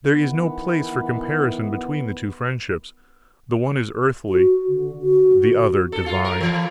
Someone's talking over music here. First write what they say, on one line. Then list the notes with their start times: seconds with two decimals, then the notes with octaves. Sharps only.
There is no place for comparison between the two friendships; the one is earthly, the other divine.
0.12 D#3 E3 B3
4.29 F#4
4.68 D3
5.02 F#4
5.92 A4
6.06 F4
6.24 A#4
6.40 E3